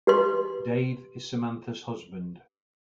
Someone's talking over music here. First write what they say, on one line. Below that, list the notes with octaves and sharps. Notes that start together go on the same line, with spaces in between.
Dave is Samantha's husband.
G4 B4 C6